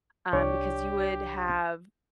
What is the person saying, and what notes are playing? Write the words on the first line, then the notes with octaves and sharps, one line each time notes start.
um, because you would have
C2 D4 G4 C#5 D5